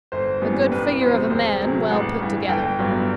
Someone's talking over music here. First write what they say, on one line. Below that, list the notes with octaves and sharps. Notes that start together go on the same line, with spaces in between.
A good figure of a man; well put together.
G1 C5
F#2 E3 G3 B3
C2 B4
C3 F#3 B3 C5
E1 C5
D2 C3 F#3
A1 F#5
G2 E3
G1 G5
G2 F#3 B3